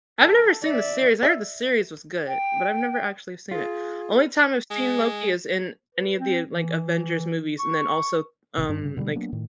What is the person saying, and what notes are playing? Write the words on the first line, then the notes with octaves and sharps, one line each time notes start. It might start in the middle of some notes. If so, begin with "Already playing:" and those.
I've never seen the series. I heard the series was good, but I've never actually seen it. Only time I've seen Loki is in any of the, like, Avengers movies. And then also, um, like,
A4
D5 E5
D5 E5
G5
F4 G#4
G#3
B4
C4
E3
C#6
A1 C3
G2 D4
G2 C#3
B2 D3 E3 G3
F#3 A#3 B3 D4
A2 D#3